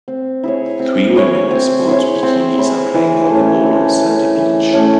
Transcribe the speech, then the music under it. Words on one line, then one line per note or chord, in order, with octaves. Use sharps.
Three women in sports bikinis are playing volleyball on a sandy beach.
C4
E4 G#4 C#5
C4
E4 G#4 C#5
C4
E4 G#4 C#5
C4
E4 G#4 C#5
E3
A3 C#4
E3
A3 C#4
E3
A3 C#4